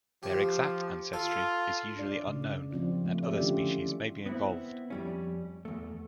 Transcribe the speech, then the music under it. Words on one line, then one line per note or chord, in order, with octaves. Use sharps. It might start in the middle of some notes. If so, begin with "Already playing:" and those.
Their exact ancestry is usually unknown and other species may be involved.
F3 G4
F4 A4
D4 D5
C#3
F3 C4 F4 D5
A3
G4 D5 E5
D3 E3 C#4 E4 F4 G4
B3 C4 E4
F2 G3 C#4
E2 A3